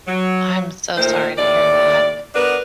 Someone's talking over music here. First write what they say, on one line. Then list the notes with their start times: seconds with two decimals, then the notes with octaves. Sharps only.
I'm so sorry to hear that.
0.08 F#3
0.97 A#2 D#3 A3 A#4 C5
1.38 D#2 A2 D5
2.35 B3 D4 F#4 A#4 B4